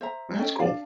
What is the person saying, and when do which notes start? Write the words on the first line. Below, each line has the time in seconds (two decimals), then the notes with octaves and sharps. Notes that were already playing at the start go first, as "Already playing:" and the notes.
That's cool.
0.01 C5 E5 A#5
0.38 C#4 A4 D#5 G5
0.60 D4 D5 F5